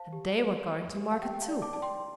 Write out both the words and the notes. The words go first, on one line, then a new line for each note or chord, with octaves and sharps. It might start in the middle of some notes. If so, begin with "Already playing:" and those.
And they were going to market too.
Already playing: C5 F5 A5
G4
C5
C5
G4
F5
G4 G5
G5
F5 A5
D5
A5 D6
D5 A5
G5 C6